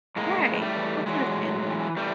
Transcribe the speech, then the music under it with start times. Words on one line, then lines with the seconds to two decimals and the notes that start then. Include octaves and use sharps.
Right, that's understandable.
0.16 A2 G#3 A#3
0.47 A2
0.62 G3 A3
0.77 E3
1.06 E3 F#3 G#3
1.36 A2
1.66 E3
1.97 E3 G3 A3